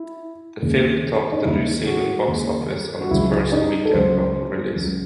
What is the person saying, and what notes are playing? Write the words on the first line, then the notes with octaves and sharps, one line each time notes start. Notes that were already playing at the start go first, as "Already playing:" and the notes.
The film topped the New Zealand Box Office on its first weekend of release.
Already playing: E4
D#2 C#3 G#3
D#4
D#2 C#3 G#3 E4
G#4
F#4
D#2 C#3 G#3
F#4
C#2 C#3 F#3 E4
D#4
A4
C#2 C#3 F#3 C5
C#2 C#3 F#3